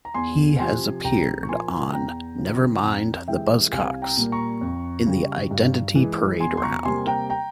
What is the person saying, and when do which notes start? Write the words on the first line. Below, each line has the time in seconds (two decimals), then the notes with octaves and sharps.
He has appeared on "Never Mind the Buzzcocks" in the identity parade round.
0.05 A#5
0.14 E2 G#5 C6
0.59 C3 F3 G#5 C6
1.04 C2 G5 A#5
1.43 C#6
1.48 A#2 F3 A#3 G#5 C6
1.94 E2 G5 A#5
2.38 C#3 F3
2.83 F2 G5 A#5
3.28 C3 E3 G#3 E5 G5
3.72 C2 F5 G#5
4.02 G5 A#5
4.17 A#2 G3 A#3
4.32 A#5 C#6
4.61 F2
5.06 C#3 G3
5.51 G2
5.95 E3 G#3
6.40 E2 G#5 C6
6.57 C6
6.63 A#5 C#6
6.85 C3 G3 A#3 G#5 C6
7.07 G5 A#5
7.30 G5 A#5